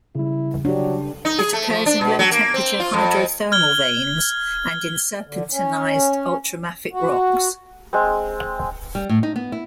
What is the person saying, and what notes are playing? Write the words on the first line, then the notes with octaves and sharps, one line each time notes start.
It occurs in low-temperature hydrothermal veins and in serpentinized ultramafic rocks.
C#3 G3 E4
F#3 D4 G4
D#4
G#4
A3
F3
D4
B2
F#3
A#3
C4
F4
F2
F6 G#6 G7
D3
C#4
F#4
G#3 C4
G3
A2
D#4
B3
E4